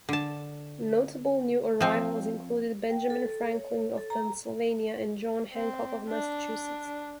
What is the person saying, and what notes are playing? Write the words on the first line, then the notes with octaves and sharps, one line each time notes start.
Notable new arrivals included Benjamin Franklin of Pennsylvania and John Hancock of Massachusetts.
D3 A5
F3 C4
G5
A4
C#5
A4
A#5
C4
D4